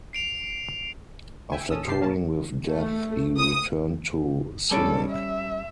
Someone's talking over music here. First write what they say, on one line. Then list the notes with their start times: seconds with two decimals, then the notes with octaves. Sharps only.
After touring with Death, he returned to Cynic.
0.13 C7 D7 F7
1.52 E5 G5 G#5
1.70 A#1 C#4 A4 D#6 E6
1.88 G2 C3 G4 A5 C7
2.00 B1 A#3 C#4 A5
2.66 A3
3.37 D#6
4.71 G3 C#4 A4 D5
5.10 E5